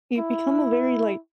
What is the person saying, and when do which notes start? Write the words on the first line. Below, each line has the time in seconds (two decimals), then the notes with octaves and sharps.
you become a very like
0.18 E4